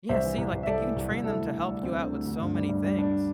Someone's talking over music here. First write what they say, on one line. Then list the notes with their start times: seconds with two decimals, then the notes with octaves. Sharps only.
Yeah, see, like, you can train them to help you out with so many things.
0.09 C2 C5 E5
0.24 E3
0.38 C2
0.53 C2
0.63 E5
0.67 C2 A4 D5
0.81 E3
0.96 C2
1.11 C2
1.24 D2 E4 A4
1.39 D2
1.53 D2
1.68 G3
1.83 D2 C4
1.97 D3
2.12 D2
2.26 D2
2.40 G2
2.54 G3
2.69 G2
2.84 G3
2.98 G3 D4